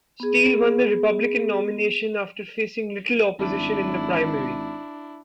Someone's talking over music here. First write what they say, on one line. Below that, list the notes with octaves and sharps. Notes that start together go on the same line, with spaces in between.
Steele won the Republican nomination after facing little opposition in the primary.
B3 G#4
G#1 D4 E4